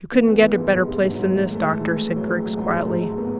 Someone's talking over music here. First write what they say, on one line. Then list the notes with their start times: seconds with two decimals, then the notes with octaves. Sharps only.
"You couldn't get a better place than this, doctor," said Griggs quietly.
0.12 E3 B3
0.28 E3 B3
0.43 E3
0.54 G#2 G#3
0.74 G#2 G#3
0.88 G#2
0.94 G#3
1.04 G#2
1.14 F#3
1.20 G#2
1.34 E3 G#3
1.50 A2
1.55 A3
1.65 E3 G#3
1.81 E3
1.95 A2
2.10 E3
2.16 F#3
2.26 E3 F#3
2.37 G#3
2.42 A2
2.57 G#2 F#3
2.72 G#2
2.83 A3
2.88 G#2 G#3
3.02 G#2
3.18 B3